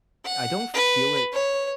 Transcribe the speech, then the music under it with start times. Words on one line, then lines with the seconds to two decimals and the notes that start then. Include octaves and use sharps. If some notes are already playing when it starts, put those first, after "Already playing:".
I don't feel it
0.25 F#5
0.74 B4
1.33 C#5